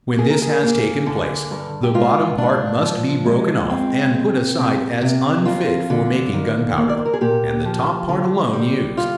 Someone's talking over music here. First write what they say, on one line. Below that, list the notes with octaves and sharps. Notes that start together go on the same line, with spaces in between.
When this has taken place, the bottom part must be broken off and put aside as unfit for making gunpowder, and the top part alone used.
A#3 G#4
A#4
G#4
A#3
D3
G2
G4
G#2 F4
D4
F3
G#3
C4
C4
C3
C3
F2 F4
D3
D#3
A#3
D5
C5
A#4
G#4
A#2 G4
F3
D3
G3
F4